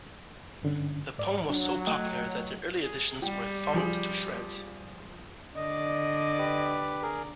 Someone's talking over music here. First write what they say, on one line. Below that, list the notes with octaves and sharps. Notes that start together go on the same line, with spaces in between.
The poem was so popular that the early editions were thumbed to shreds.
G2 D3 C#4
G#2 D5
F#3 D4
A3 D#5 G5
G#4
G3 G4
F3 G#4
D3 D5 D#5
G4 B4
G#4 A#4